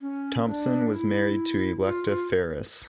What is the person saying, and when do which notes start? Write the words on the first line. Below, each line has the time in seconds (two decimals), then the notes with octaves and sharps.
Thompson was married to Electa Ferris.
0.01 C#4
0.46 D4
0.92 E4
1.83 F4
2.05 F4